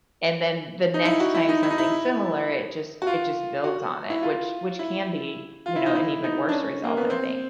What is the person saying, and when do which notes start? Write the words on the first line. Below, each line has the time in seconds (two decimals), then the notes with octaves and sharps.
and then the next time something similar, it just it just builds on it, which which can be, you know, an even worse result, I think.
0.94 D#4
1.05 E4
1.20 F#4
1.35 E4
1.49 D#4
1.63 E4
1.70 D#4
1.78 E4
3.02 F#4
3.07 F4
3.64 F#4
4.10 E4
4.23 F4
4.79 E4
5.66 F4
5.76 E4
5.86 D#4
5.95 E4
6.24 D#4
6.49 D4
6.52 C#4
6.84 A#3
6.97 B3
7.10 C4